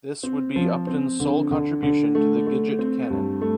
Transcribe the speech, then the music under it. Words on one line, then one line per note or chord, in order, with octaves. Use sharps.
This would be Upton's sole contribution to the Gidget canon.
C4
F3
C4
D3
D3
D3
A3
A3
C4
G2
A3